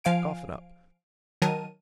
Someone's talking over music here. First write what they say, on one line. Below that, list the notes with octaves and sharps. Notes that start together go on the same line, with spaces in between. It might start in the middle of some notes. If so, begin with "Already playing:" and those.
Cough it up.
F3 F5 G#5 D7
D#3 F#3 A#4 A5 D#7